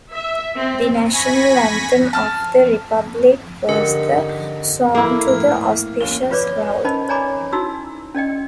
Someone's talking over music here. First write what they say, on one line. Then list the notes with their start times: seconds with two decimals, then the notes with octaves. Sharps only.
The national anthem of the republic was the "Song to the Auspicious Cloud".
0.12 E5
0.57 C4
1.13 G#5 B5 C#6 A#6 B6
2.13 A5 F6
3.69 D3 D#4 G4 A#4
4.95 A#3 E4 A4
5.28 A2 F6
6.01 D#2 C#4 G7
6.31 F4 B4 C#5 D5 D6
6.85 C#4 D#4 A#4 C5 D#5 B5
7.09 C#5 D5 G#5 A#5 B5 D6
7.53 D#4 E4 F#4 E6
8.15 C#4 D5 D#5 G5